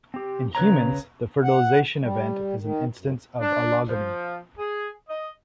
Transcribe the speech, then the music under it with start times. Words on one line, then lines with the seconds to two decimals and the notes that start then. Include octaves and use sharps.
In humans, the fertilization event is an instance of allogamy.
0.14 C4 G4
0.55 C#3 B4 C#5 A#5
1.44 F#5
2.01 G3
2.59 D#3
2.98 F#2
3.41 D4
3.88 F3
4.57 G#4
5.07 D#5